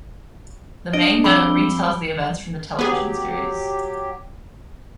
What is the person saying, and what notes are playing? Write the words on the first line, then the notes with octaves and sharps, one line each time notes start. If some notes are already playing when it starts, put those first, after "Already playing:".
The manga retells the events from the television series.
D4 D#5 D7
F2 B5 C6 D6 E6 G7
F#3 B3 G4 G#4